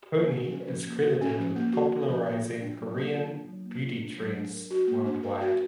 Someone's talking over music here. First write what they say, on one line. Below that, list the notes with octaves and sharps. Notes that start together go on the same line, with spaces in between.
Pony is credited with popularizing Korean beauty trends worldwide.
A#3
F#4
C#4
F3
A#3
F#4
C#4
F3
A#3
F#4
C#4
F3
A#3
F4
D4
F#3
A#3
F4
D4
F#3
A#3
F4
D4
F#3
D4
A#4
F#4
A#3
D4
A#4
F#4